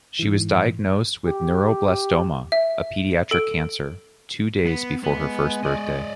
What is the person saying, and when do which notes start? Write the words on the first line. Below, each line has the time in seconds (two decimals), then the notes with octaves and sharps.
She was diagnosed with neuroblastoma, a pediatric cancer, two days before her first birthday.
0.19 G#2 E3
1.26 G4
2.52 E5
3.31 A4 D7
4.65 B3
5.04 G#3 B3
5.64 D5 D#5